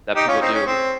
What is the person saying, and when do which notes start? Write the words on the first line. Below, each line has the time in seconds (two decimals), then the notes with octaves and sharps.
that people do.
0.15 D#4 G4
0.28 C#4 F4
0.40 C4 D#4
0.53 C#4
0.66 C4